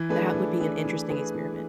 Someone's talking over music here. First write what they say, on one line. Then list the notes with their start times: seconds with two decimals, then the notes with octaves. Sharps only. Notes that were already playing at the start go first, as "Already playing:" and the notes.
That would be an interesting experiment.
Already playing: E3
0.09 A3 D4 G#4 B4
0.34 E3
0.59 A3 D4 G#4 B4
0.84 E3
1.10 A3 D4 G#4 B4
1.34 E3